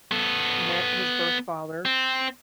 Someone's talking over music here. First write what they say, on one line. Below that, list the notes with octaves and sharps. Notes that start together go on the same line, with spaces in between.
met his birth father
B3 A4
C4